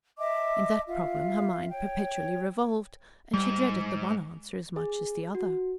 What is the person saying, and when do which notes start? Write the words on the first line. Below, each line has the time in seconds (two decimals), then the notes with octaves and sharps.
In that problem her mind perpetually revolved; and she dreaded the one answer as much as the other.
0.18 D#5 E5 A5 D6
0.87 F4 E5 F5
1.70 C#5 G5
3.34 G#2 G3
4.76 G#4
5.35 F#4